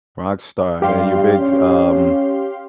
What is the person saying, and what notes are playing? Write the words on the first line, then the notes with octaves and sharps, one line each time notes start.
Rockstar, man, you're big, um
G2 G4 F5 C6
C#4